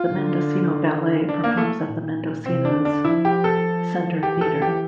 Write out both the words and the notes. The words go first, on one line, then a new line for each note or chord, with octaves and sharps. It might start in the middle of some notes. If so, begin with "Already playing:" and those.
The Mendocino Ballet performs at the Mendocino's center theater.
Already playing: F4
D3
D4
A#3
A3
A#2
C3 C4
D4
D3
D4
F3 E4
G4
A4
E3 G4
A4
G4